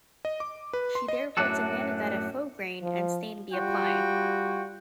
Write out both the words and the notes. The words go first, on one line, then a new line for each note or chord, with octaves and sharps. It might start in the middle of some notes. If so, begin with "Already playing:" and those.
She therefore demanded that a faux grain and stain be applied.
D#5
D6
B4
C6
D#5
F#2 A2 D4 F#4 A4
F3
G3 F4 F#4 G5